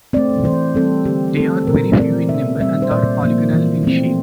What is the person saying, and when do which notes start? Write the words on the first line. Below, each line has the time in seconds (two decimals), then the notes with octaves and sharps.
They are very few in number and are polygonal in shape.
0.13 A3 C4 D5
0.44 E3 C5
0.75 G3 C4 A4
1.06 D3 G4
1.37 A3 C4 A4
1.67 A#2 A#4
1.98 A3 C4 D5
2.29 C3 E5
2.60 G3 C4 E5
2.82 C5
2.91 A#2 D5
3.23 F3 A#3
3.54 E3
3.83 A3 C4